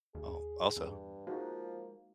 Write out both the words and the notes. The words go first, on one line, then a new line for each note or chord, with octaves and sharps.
Oh, also
D#2 G#4
E2 G2
F3 G#3 A#3 D#4 F#4